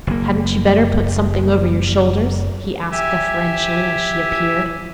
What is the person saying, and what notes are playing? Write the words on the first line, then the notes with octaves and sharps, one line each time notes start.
"Hadn't you better put something over your shoulders?" he asked deferentially as she appeared.
F#1 A#3
G4 E5 G#5